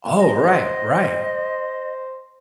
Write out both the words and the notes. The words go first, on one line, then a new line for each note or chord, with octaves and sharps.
Oh, right, right.
C5 D#5